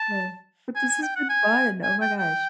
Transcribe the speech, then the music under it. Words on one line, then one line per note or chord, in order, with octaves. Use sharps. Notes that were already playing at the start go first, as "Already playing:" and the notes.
Eh, but this has been fun, oh my gosh.
Already playing: A5
G#5
G#5
G5
F#5
G#5
G#5
G5
G5